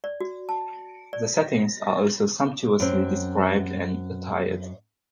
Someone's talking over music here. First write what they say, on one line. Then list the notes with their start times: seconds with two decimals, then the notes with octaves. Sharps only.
The settings are also sumptuously described and attired.
0.04 D5
0.21 F#4
0.49 A5
1.13 D5
2.80 F#2 C4